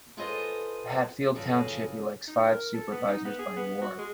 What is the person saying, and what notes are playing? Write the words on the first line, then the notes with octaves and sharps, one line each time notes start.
Hatfield Township elects five supervisors by ward.
F4 G#4 A4 B4 C5 D#5
G2 C#3 F3 F#3 G#4 A4
D#4
A#4
A4
B3
D#4
B3
G#4
B3
F#4
G#3